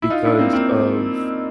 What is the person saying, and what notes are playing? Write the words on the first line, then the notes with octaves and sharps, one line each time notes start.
because of,
E4
D#4 F4
D4 E4
A#3 C4
A#3 C4